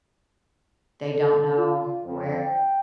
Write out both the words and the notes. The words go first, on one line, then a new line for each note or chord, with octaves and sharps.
they don't know where,
A4
F4
F2
G5